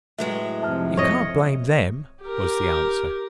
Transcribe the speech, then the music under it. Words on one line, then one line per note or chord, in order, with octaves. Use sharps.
"You can't blame them," was the answer.
A2 F#3 G#3 B4 E5
F2 C3 E5 A5 F6
C#5 D#5
G4 A#4